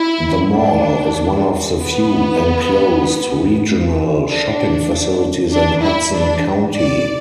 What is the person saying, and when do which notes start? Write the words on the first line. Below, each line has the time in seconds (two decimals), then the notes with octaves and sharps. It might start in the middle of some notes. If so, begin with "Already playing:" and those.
The mall is one of the few enclosed, regional shopping facilities in Hudson County.
Already playing: E4
0.55 D4
1.79 B3
4.28 D4
5.52 D4
5.83 E4
6.15 D4
6.76 D5